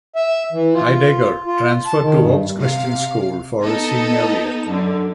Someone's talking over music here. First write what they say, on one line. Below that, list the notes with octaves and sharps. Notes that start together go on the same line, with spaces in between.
Heidegger transferred to Oaks Christian School for his senior year.
E5
E3
F4
F4
A5
D#3
G2
C3 F5
B3 D#4 A4 D#5
F#2 D3